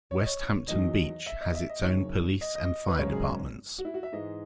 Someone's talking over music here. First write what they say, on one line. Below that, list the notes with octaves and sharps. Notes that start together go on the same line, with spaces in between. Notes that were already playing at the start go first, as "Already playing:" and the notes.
Westhampton Beach has its own police and fire departments.
C#5
D#5
C#5
E2 D#3 F#3 D#5
E5
D#5
E5
D#5
F#1 F#2 D#3 C#5
D#5
D#5
B4
G#1 F#2 C#3 G#3 C#5
G#4
F#4
E4
F#4
E5
G#2 E3 G#3 D#5